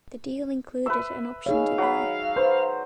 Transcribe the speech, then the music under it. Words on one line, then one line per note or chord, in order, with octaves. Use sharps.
The deal included an option to buy.
B4 E5 E6
D#4 G#4 C#5 F5
F#3 B5
B4 C5